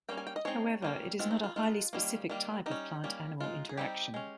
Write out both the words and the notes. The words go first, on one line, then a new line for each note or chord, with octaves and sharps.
However, it is not a highly specific type of plant-animal interaction.
G3 A#3 C#4 G5
G#5
G5
D#5
G#3 C4 D#4 C#5
G3 A#3 C#4
D#3 G#3 C4 F4
D#4
F4
G#3 D#4 F4
D#3 G3 A#3 C#4
D#3 G3 A#3
G3 D#4
C#4
G3 A#3 C#4
G#3 D#4 F4
G#4
G3 C4 D#4 G4
G#3 C#4